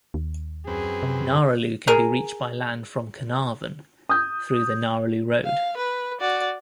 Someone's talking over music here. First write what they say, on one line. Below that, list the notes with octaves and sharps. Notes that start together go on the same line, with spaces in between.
Gnaraloo can be reached by land from Carnarvon through the Gnaraloo road.
D#2
F#2 C4 G#4 B4
C3
G#4 A#4
D#6 G6
F5
B4
F#4 D5